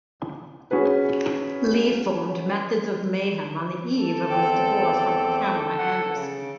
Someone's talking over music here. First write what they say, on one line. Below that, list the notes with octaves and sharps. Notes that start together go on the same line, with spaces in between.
Lee formed Methods of Mayhem on the eve of his divorce from Pamela Anderson.
C#4 F#4 G#4 B4
A4
E2 C4 D6
A4
F#5
C#3